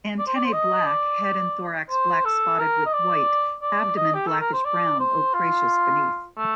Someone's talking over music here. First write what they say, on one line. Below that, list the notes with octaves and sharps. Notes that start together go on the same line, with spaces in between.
Antennae black; head and thorax black spotted with white; abdomen blackish brown, ochraceous beneath.
D5
C5
D5
C5
D#5
D5
C5
A4
A#4
D#5
D5
D5
D#5
G4
A4
A#4
C5
D5
C5
F4
A3